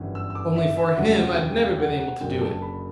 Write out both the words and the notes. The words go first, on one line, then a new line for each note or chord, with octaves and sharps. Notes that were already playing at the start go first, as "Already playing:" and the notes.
Only for him, I'd never been able to do it.
Already playing: G1 F#2 E3
E6
E6
D6
E5
E5
E1 D2 C#3 F#3 F#5
F#5
G5
G5
F#5
F#5
F#1 F#2 D3 F#3 G5
A5
B5